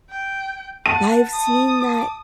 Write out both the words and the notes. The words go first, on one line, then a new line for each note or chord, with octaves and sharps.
I've seen that.
G5
F#5 A5 D#7
D#6